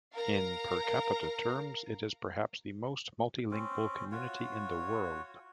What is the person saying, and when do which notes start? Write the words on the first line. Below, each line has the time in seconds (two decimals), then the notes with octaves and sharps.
In per capita terms, it is perhaps the most multilingual community in the world.
0.13 A#4 F5 A#5
3.51 C4 C#4
4.12 F4 F#4 C#5